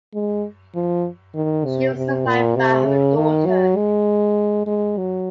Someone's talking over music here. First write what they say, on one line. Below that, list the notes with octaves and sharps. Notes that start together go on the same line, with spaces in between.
She was survived by her daughter.
G#3
F3
D#3
C3
C3
A#2
C3
C#3
D#3
F#3
G#3
G#3
F#3